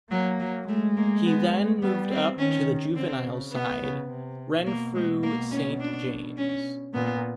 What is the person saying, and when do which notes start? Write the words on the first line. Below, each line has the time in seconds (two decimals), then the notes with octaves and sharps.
He then moved up to the juvenile side, Renfrew Saint James.
0.11 F#3 A#3
0.40 F#3
0.68 G#3 A3
0.97 A#3
1.25 B3
1.82 G3 B3
2.11 C4
2.39 D#3 C#4
2.96 D3 C4
3.24 C#3
3.52 B3
3.81 C#3
4.10 C3
4.66 B2 A#3
4.95 G#3
5.23 A#3
5.51 C#4
5.80 D4
6.37 C#4
6.94 A#2 B3